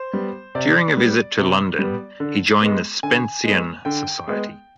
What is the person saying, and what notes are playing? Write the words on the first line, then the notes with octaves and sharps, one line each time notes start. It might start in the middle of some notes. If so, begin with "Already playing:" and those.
During a visit to London he joined the Spencean Society.
Already playing: C5
G3 B3
C3 D5
G3 B3
C3
G3 B3
D3
G#3 B3
D3 G#5
G#3 B3
D3 G5
G#3 B3